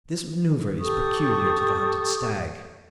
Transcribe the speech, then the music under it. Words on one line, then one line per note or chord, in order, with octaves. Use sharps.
This manoeuvre is peculiar to the hunted stag.
G4 A4 C#6 D#6